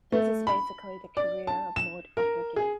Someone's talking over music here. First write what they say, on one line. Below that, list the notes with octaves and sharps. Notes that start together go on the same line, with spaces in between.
This is basically the career mode of the game.
A3
B5
D5
A5
E7
A#4
G#4